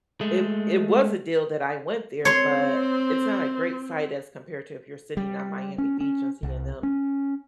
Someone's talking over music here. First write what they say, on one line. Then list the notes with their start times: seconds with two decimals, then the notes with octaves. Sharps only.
it it was a deal that I went there, but it's not a great sight as compared to if you're sitting on Miami Beach and seeing them,
0.21 G#3 A3
2.25 C4 C#5 C6
5.17 G3
5.78 C#4
6.00 C#4
6.43 C2
6.83 C#4